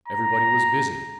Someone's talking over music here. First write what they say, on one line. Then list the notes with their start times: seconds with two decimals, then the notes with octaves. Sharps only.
Everybody was busy.
0.08 A#5